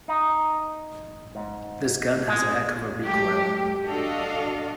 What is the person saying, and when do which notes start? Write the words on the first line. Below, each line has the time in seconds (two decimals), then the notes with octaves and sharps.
This gun has a heck of a recoil.
0.08 D#4
1.35 G#2
2.28 G#3
3.00 F#3 G#3 A3 G4
3.86 D4 F#4 A4 D#5 F5